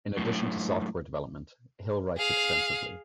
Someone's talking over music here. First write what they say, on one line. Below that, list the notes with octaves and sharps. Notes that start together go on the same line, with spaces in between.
In addition to software development, Hill writes extensively.
F#2 A2
G#4 F5